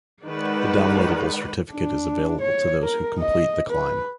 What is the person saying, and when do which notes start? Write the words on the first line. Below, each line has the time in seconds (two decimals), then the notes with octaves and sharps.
A downloadable certificate is available to those who complete the climb.
0.24 D#3 G#3 B4 D5 F#5
1.72 D4
2.41 C#5
2.83 A#4
3.19 D#5
3.70 B4